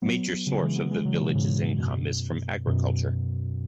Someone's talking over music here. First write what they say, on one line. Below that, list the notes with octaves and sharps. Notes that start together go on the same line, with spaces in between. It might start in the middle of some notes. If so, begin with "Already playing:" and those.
Major source of the village's income is from agriculture.
F#3 B3
C#3 F#3
E3 G#3
F#3 B3
E3 G#3
C#3 F#3
B2 E3
G#2 C#3
F#2 B2
F#2 B2